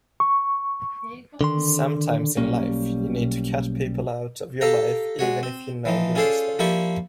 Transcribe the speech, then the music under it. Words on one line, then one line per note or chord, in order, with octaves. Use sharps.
Sometimes in life you need to cut people out of your life even if you know you'll miss them.
C#6
D3 D#3 C6
B1 G3 A#3 C#4
G4 A4 F5 A#5
G#3 F#4 C#5
C4
E3 F3 D#4
C#4 F4 G#4 A4 C5 D5
F3 A#3 E4 G4 D5 C#6